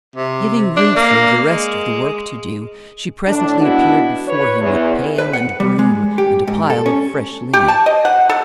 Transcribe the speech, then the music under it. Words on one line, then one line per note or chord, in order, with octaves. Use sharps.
Giving Reuther the rest of the work to do, she presently appeared before him with pail and broom and a pile of fresh linen.
C3
D4
A#3
G#3
A2 D4
E3 G#3 B3 D4 E4 F#4
B4 C#5
E2
B4
F#5
G3
G#3
G4
G#2
A4
C#4
G4
A5
D#5
F#5
A4